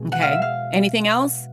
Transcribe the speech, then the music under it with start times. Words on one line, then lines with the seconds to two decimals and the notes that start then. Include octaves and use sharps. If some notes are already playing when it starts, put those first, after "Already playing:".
M'kay. Anything else?
Already playing: B2 G#3
0.12 F#5
0.22 F5
0.32 E5
0.42 F5